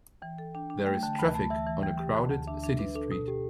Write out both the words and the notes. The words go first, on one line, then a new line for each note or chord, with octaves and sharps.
There is traffic on a crowded city street.
E3 G5
A4
D4 G5
D4
A3 G5
D3 A5
D2 B5
A3 A5
E3 E5
E3
E3 G5
G4
D3 A5
D2 A5
D4 E5
D4 E5
D4 B4
D4 A4
B2 A4
G4